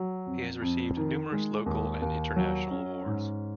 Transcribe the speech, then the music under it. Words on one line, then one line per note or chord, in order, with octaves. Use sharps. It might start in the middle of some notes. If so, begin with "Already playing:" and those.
He has received numerous local and international awards.
Already playing: F#3
F2
F2
D#3
G#3
D#2
D#2
F#3
C#4
G#2